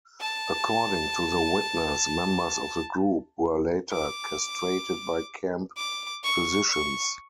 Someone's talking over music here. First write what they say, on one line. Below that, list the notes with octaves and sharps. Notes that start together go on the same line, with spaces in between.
According to the witness, members of the group were later castrated by camp physicians.
A5
D6
D6
C#6
C#6